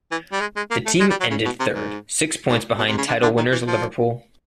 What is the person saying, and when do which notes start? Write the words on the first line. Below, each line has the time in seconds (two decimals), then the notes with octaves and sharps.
The team ended third, six points behind title winners Liverpool.
0.12 E3
0.32 G3
0.41 G#3
0.56 G#3
0.71 A#3
0.86 A3
1.00 G#3
1.10 G3
1.20 F#3
1.30 C#3
1.45 B2
1.60 C3
1.75 G#2
2.49 G#2
2.78 B2
2.88 C3
2.98 C#3
3.08 D3
3.22 D3
3.37 D#3
3.52 E3
3.67 F3